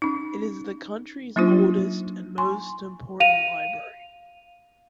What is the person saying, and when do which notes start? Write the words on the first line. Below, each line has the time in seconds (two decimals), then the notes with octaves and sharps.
It is the country's oldest and most important library.
0.02 C#4 D#4
1.36 F#3 A#3 D4 D#4 F4 C5
2.38 G#5 C6 C#6
3.20 F5 D#7 F7